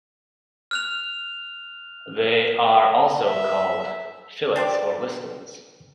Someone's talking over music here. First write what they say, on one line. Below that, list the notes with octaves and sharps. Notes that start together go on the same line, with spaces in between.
They are also called fillets or listels.
F6 F#6 F7
E5
D4 G4 C5 D5